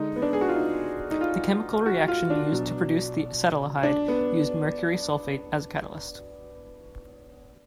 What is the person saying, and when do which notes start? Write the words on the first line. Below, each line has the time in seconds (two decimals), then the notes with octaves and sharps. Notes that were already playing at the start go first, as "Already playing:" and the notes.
The chemical reaction used to produce the acetaldehyde used mercury sulfate as a catalyst.
Already playing: D3 G#3 D#4
0.16 B3
0.22 D4
0.33 G#4
0.41 F#4
0.48 F4
0.55 D#4
1.11 D#4
1.21 F4
1.86 F#4
2.08 F4
2.30 D4
2.52 B2 F#3
3.83 D4
4.08 B3